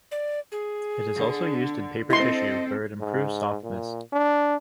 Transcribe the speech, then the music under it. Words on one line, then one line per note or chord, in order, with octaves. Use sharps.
It is also used in paper tissue where it improves softness.
D5
G#4
D3
C4 E4 A4 D#5 C6
G#2
A#2
D4